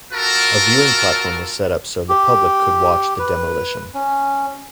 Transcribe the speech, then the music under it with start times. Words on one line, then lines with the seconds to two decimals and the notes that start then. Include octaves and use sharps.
A viewing platform was set up so the public could watch the demolition.
0.13 F4 F#4 A4 A#4
2.09 G4
3.19 B4
3.94 C#4